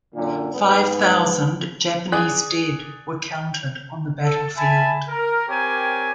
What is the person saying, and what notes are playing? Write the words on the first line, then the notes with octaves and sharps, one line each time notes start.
Five thousand Japanese dead were counted on the battlefield.
F#2 A#2 D3
G#2 B3
G#4 D5 G#5 D#6 F#6
A4
E5 G#5 A5 B5
A#4
C4 G4 A#4 C#5 G#5